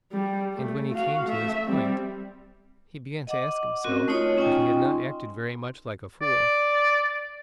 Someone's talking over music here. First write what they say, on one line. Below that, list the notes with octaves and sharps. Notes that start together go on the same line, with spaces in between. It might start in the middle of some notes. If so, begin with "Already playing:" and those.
And when he came to this point, he began to ask himself, if he had not acted very much like a fool.
G3
A3
F#4 F5
A3 E5
G3 C4
D#5 F#5 D6
C4 C#4 F#4 A#4
A3 D#4 F4 C#5 D#5
C#4 D#4 F4 D#5 G5 G#5
C6
D5